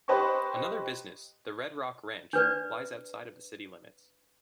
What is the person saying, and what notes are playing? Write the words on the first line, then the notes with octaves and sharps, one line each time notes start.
Another business, the Red Rock Ranch, lies outside of the city limits.
G4 B4 C5 D#5 G5 C#6
D4 B4 D5